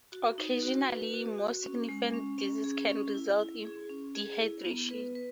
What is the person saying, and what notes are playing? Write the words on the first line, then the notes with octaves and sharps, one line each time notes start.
Occasionally more significant disease can result in dehydration.
F#4
D#4
F#4
B4
F#4
F#4
C#4
G#3
C#4
C#4
G#4
C#4
E4
E4
G#4
C#4
G#4
E4
B3
B4
B4